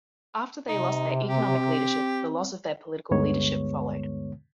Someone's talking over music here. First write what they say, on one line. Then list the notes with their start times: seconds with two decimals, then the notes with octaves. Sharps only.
After they lost their economic leadership, the loss of their political leadership followed.
0.68 C3 D#4
1.29 C4 G4
3.11 D2 G2 D3 G#3 B3 C#5